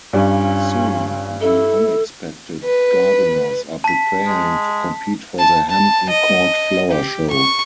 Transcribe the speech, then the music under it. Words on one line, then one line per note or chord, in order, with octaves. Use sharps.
Soon, the unexpected gardeners are preparing to compete for the Hampton Court Flower Show.
G2 G3 C#4 F4
E4 A4
B4
A5 B6
G#3
A5
A5
D#5
G4
C#6